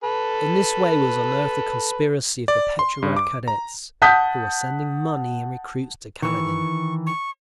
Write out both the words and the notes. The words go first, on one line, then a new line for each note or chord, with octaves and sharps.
In this way was unearthed the conspiracy of the Petrograd Cadets, who were sending money and recruits to Kaledin....
A4 B4
D5
C6
G2
D6
A#5
F#5 A5 D#6 G6 B6
D#3 E3 C#6
C#6